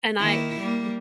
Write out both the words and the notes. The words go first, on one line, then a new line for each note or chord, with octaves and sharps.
And I n
D#3 A#3 E4
G3 A#3